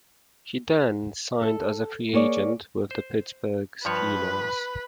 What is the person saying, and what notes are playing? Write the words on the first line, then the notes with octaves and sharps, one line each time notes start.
He then signed as a free agent with the Pittsburgh Steelers.
A4
A#3 G#4 C#5 D5
C5
G2 F3 B4 C#5